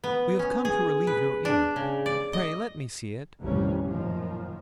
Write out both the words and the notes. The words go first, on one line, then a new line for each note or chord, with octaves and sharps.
We have come to relieve your ear. Pray let me see it.
B3
C#4
G#4
B4
D4
C#3
D5
D#5
A1 F2 C3 D#3 G3 C#4
F#2 A#2 D#3 F3